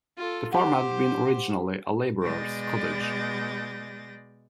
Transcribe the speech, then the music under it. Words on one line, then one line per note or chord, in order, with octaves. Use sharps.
The farm had been originally a labourer’s cottage.
F4 A4
G4 C5 F#5
B2 G#3 D5 G6 A6 A#6